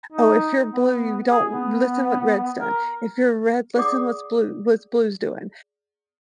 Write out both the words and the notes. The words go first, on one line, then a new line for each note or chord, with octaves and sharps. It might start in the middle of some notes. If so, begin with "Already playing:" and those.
"Oh, if you're blue, don't listen what reds done. If you're red, listen what's blue what's blue's doing,"
D#4
B3
G#4
B3
A#4
G#4 D5 F#5 D6 D#6